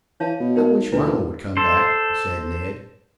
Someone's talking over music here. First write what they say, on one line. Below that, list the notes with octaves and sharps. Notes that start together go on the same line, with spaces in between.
"I wish mamma would come back," said Ned.
E3 C#5 F5 A5
B2
D#4 A#4
D2 E4 B4
A4 C5